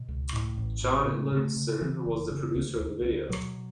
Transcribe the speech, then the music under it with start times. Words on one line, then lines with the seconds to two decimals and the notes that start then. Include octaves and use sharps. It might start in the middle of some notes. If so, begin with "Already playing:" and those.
John Linson was the producer of the video.
Already playing: B2
0.08 C#2
0.33 A2
0.58 A1
0.82 A2
1.07 C#3 B3
1.17 A3
1.26 G#3
1.32 C#3 A3
1.57 C#3
1.81 C#3 E3
2.06 F#1
2.31 C#3
2.55 D2
2.80 D2
3.05 D2
3.29 B2 F#3